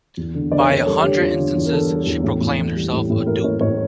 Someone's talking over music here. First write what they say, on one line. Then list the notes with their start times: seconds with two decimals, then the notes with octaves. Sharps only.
By a hundred instances she proclaimed herself a dupe.
0.17 E2
0.35 D3
0.52 D3 D5
0.60 C#5
0.69 D3 A#4
0.86 G3 A4
1.03 D3 G4
1.21 E2 F4
1.37 D3
1.55 E2
1.66 A#4
1.72 D3 A4
1.89 G3
2.06 E2
2.23 A2
2.41 A2
2.58 E3
2.76 G3
2.93 A2
3.10 A2
3.26 A2 A#4
3.44 A2 C#5
3.61 A2 C#5